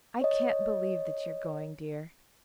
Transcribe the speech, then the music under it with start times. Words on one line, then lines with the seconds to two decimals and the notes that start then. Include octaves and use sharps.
I can't believe that you are going, dear!
0.21 C#5 D#5